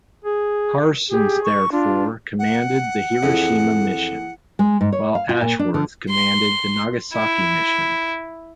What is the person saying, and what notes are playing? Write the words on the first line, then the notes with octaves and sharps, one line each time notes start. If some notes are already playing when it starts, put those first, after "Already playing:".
Parsons therefore commanded the Hiroshima mission, while Ashworth commanded the Nagasaki mission.
G#4
G4 G#4
C#6
D4 F4
F#5
F2 E3 G#4
G#3
G#2
C#5
F5
F4
A#2
D4
D3
C6
E4